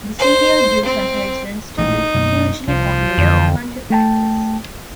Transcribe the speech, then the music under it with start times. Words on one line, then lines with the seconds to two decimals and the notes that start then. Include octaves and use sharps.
The serial drew comparisons to the hugely popular "A Country Practice".
0.19 C5
0.85 C4
1.78 A1 A#2 E3 D#4
2.14 F#2 B2 A#3
2.68 C2 F3
3.18 F2 D3 E3
3.90 A3 G5 A5